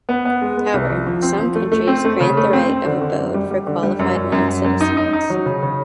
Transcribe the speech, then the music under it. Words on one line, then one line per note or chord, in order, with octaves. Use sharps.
However, some countries grant the right of abode for qualified non-citizens.
B3
B3
G#3
B3
C2
F3
F3
C4
F3
A3
A3
C4
A3
C#3
A3
C4
C4
D3
D3
F#2
G3
G3
D3
G3
F#2
F#2
F#2
F#2
F#2
D#4
D#4
D#4
F#3
C#3
C#3